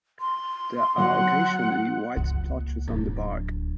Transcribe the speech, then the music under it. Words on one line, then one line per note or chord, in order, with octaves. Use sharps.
There are occasionally white splotches on the bark.
C6
F#3 F#5
C#2 A#3
D1 D4